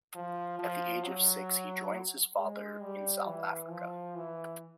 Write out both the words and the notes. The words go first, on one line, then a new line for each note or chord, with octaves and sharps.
At the age of six he joins his father in South Africa.
F3
F3
F#3
G#3
G3
E3
F3
E3